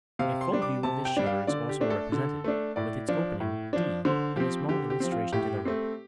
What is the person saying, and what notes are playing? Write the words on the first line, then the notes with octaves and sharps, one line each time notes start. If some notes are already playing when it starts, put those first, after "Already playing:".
A full view of this shutter is also represented, with its opening, D, in the small illustration to the right.
C3 F5
C6
G3 D4
D6
C3 A5
G5
G3 D4
F5
D3 D5
G4
A3 D4
A4
D3
A3 D4
A2 D5
F3 D4
A2
F3 D4
D3 C5
F3 C4 G4
D3 G4
G4
F3 C4
F4
A2 G4
A3 C4